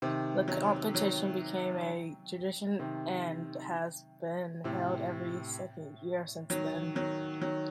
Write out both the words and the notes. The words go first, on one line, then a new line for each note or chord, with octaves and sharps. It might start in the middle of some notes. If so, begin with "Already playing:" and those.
The competition became a tradition and has been held every second year since then.
C3 D#3
D#3 F#3
D#3 F#3
C3 D#3
A2 C3
D#3 F#3
D#3 F#3
D#3 F#3